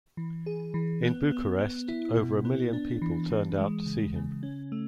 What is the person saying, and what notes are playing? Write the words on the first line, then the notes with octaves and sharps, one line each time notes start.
In Bucharest over a million people turned out to see him.
E3
G#4
E3
B3
B3
B3
E4
B2
B3
D4
E3
E3
G#3
C#3
C#3
C#4
A3